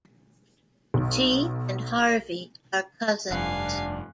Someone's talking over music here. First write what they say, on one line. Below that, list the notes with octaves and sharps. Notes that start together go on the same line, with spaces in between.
She and Harvey are cousins.
B1
F1 G2 D4 F5 F#5 G#5 F#6